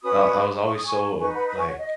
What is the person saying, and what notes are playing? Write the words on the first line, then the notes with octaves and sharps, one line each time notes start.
I I was always so ob like
C#4 F#4 B4 B5 D#6
C#6
D#6
G#5 C#6
D#4 B4 G#5 C#6
F#5 B5
B5 D#6
G#5 C#6
C#5 F#5
D#5